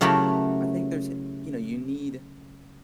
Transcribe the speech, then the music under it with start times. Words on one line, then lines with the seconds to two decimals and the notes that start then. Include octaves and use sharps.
I think there's h you know, you need
0.01 C#3 F#3 A3 E4 G4 A#4